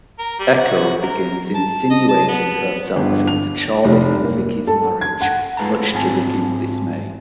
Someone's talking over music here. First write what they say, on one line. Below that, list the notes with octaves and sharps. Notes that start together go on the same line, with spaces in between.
Echo begins insinuating herself into Charlie and Viki's marriage, much to Viki's dismay.
A#4
G3
F#4
A#4
A5
D#5
A5
B3
G1
F7
F1
A#3
A4
G#6
F#5
F4 G#4 B4 F5 A5 A#5
G#2 C4 F4 G#5 A5